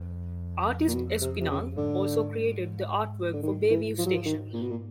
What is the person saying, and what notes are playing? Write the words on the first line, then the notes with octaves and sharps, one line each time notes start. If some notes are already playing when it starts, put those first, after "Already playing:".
Artist Espinal also created the artwork for Bayview station.
Already playing: F2
A#2
B2
C3
C3
C#3
G#2 D3
D3
D#3
E3
F3
F#3
F3
D#3
A#2
B2
A#2